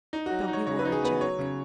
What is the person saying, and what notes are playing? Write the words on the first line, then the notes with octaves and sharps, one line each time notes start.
"Don't you worry, Jack."
D#4
F#3 F#4
D#4
C#5
C#3 C#5
B4
D#4
G#4
B3 B4
F#3 C#5
C#3